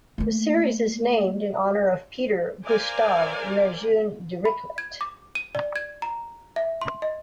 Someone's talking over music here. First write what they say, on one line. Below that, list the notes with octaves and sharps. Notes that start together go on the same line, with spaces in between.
The series is named in honor of Peter Gustav Lejeune Dirichlet.
A3 A#3
A#4 C5 D5 F5 G#5
B5
G#6
D6
D#7
D5
G#6
A#5
E5
C6
D#5